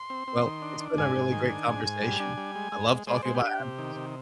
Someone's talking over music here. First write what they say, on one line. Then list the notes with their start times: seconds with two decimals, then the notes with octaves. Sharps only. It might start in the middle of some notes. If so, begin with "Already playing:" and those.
Well, it's been a really great conversation. I love talking about animals,
Already playing: C6
0.10 C4
0.28 C4
0.46 D#3
0.62 D4
0.80 D4
0.98 G#2 G#5
1.16 G#2
1.32 D#3
1.50 D4
1.68 G#2
1.85 G#2
2.02 G3
2.20 D4
2.37 G3
2.55 G#3
2.72 G#3
2.91 G#3
3.07 G#3 C5
3.14 D5
3.23 G#3 C5
3.35 G4
3.43 D4
3.60 C3
3.79 D#3
3.96 C3